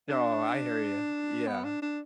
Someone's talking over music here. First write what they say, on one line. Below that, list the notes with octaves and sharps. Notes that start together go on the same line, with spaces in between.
Oh, I hear you, yeah.
D4
B3
D4
D4